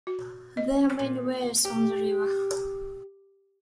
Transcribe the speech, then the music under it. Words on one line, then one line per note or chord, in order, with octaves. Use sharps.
There are many weirs on the river.
F#4
D#5
A#2
G4